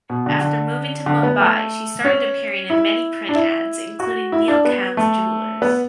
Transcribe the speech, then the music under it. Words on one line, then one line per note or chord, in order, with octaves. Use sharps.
After moving to Mumbai she started appearing in many print ads including Neelkanth Jewellers.
B2
D3
D3
D3
B3
A3
C#4
E4
D4
E4
F#4
E4
D4
B3
A3
B3